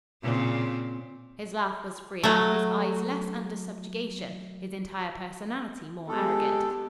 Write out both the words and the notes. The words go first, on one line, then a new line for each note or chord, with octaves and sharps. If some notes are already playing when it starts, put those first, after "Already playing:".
His laugh was freer, his eyes less under subjugation, his entire personality more arrogant.
A#2 C#3 C4
F#3 A3
G#3 B3 G4 A4